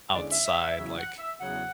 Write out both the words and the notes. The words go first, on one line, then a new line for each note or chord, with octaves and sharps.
outside, like,
E2 D3 G#3 C#4 D5
E5
E5
E5
E2 C#3 F#3 E5
F#5
E5
E2 C#3 F#3 F#5